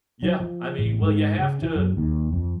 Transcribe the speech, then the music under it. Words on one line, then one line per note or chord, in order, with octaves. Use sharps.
Yeah, I mean, well, you have to,
F#3
F3
A1
G#2
C#3
E3
F#2
D#2
F2